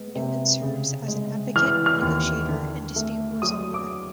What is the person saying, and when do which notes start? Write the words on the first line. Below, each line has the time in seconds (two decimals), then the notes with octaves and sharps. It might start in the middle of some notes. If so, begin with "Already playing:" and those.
Newman serves as an advocate, negotiator and dispute resolver.
Already playing: G#3 B3
0.15 C3
0.62 C#3
1.08 G#3
1.55 E3 F6
1.86 F6
2.01 D#2
2.48 D3
2.96 A3
3.42 F#3 D#6
3.74 D6